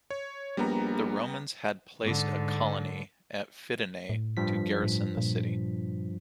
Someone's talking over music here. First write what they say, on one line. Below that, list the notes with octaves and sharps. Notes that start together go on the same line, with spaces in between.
The Romans had placed a colony at Fidenae to garrison the city.
C#5
A#1 G3 B3 A#5
G#2 D3
A2
G2 F3 B6
A2
A#2